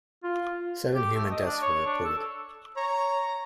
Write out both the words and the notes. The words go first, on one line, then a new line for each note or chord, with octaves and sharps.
Seven human deaths were reported.
F4
G4
A3
D#5
D4
C#5
D4
A4
C#5 A#5